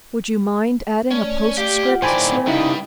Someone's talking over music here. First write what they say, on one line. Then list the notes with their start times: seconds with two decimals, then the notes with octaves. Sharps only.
"Would you mind adding a postscript, sir?"
1.11 A3 C#4 C#5 D5
1.58 G4 F5 G5
1.85 F4 F#5
2.02 A2 D#3 E3 C5 D5 G5 G#5 B5
2.47 C2 C#3 G3 D#4 E4 B4